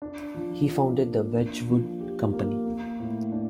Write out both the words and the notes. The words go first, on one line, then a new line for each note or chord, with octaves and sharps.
He founded the Wedgwood company.
D4
F3
F3
A#3
D4
F3
G4
A#3
A#3
A2
D4